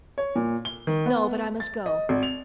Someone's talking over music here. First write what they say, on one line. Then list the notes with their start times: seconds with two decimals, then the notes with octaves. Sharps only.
"No, but I must go."
0.18 C#5
0.36 A#2
0.65 G7
0.87 D#3
1.06 B3
1.60 A6
1.86 D#5
2.09 G#1
2.23 F7